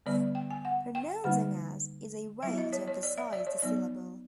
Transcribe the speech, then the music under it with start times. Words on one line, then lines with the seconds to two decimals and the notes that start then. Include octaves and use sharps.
Pronouncing as is a way to emphasise the syllable.
0.06 D3 G3 B3 D5
0.35 G5
0.51 G#5
0.65 F#5
0.95 G5
1.24 D3 G3 A#3 D#4 F#5
2.43 F#3 B3 E4 E5
2.58 D#5
2.73 C#5
2.88 C#5
3.03 D5
3.18 E5
3.33 D5
3.47 C#5
3.62 F#3 B3 D#4 D5